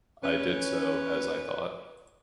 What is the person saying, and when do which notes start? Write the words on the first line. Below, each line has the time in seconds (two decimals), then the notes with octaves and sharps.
I did so, as I thought.
0.24 C#4 B4